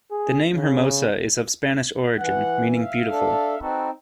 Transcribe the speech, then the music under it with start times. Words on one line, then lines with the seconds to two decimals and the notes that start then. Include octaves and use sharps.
The name Hermosa is of Spanish origin meaning "beautiful".
0.11 G#4
0.55 C#3
2.19 E3 F#5
2.74 E5 F5
3.10 D4 A4
3.60 C4 D#4 F#4 A4 B4